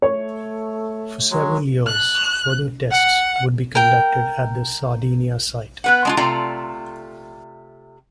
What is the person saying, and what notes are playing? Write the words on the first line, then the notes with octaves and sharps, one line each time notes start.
For several years, further tests would be conducted at the Sardinia site.
A3 C#5
F#3 G#3
F#6
F#5
A#4 G5
B3 B4 F#5
G#3 D4 F4
C3 A3 F4 D5 G5 A#5